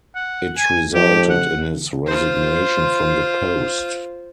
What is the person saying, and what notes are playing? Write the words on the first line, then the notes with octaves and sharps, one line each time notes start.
It resulted in his resignation from the post.
F#5
G#5
F2 G4
F#5
F4 C5